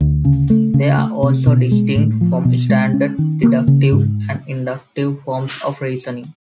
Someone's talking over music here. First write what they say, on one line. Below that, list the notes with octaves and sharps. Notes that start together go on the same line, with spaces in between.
They are also distinct from standard deductive and inductive forms of reasoning.
D2
C#3
A3
C#3
A3
C3
B2
G#3
A2
F3
B2
G#3
C#4
D#3
A#3
C#3
G#2